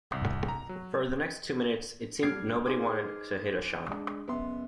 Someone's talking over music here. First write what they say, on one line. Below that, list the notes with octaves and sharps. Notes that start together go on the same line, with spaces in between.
For the next two minutes, it seemed nobody wanted to hit a shot.
C2
A#5
F#3
G3 D4 F6 G#6 C7 D7
D#4 G#4 B4 C5 C6 D6
G#3 D4
F#1 B3 E5 C6